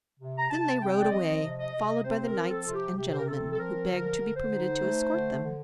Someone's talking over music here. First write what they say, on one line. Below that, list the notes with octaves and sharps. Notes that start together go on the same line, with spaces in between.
Then they rode away, followed by the knights and gentlemen, who begged to be permitted to escort them.
C3
A#5
C3 A5
C4 G5
D5
F3 D#5
C3
D#5
C3
C4 C5
A#4
F3
A4
C3 F4
G4
C3 G4
C5
A#4
C4 A4
A4
F3 A#4
D3 A#4
D3
C5
D#4
A3
D3
D3